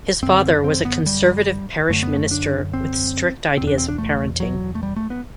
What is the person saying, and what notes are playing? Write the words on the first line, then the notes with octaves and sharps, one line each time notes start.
His father was a conservative parish minister with strict ideas of parenting.
F#2 D3 C4
C4
B3
G3
F#2 D3 A3
B3
A3
D4
C4
E2 B2 C4
D4
C4
D4
A3
F#3
A3
G3
A3
B3